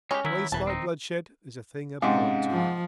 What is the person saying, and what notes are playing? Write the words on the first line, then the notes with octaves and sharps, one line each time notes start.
Waste, like bloodshed, is a thing abhorrent to me.
G#3 C#4 G4 A#5
D#3 F#3 B3 E4
D#1 B1 E3 B4 A5
C4 D#4
G#2 C3 C#4 F5 F#5
F3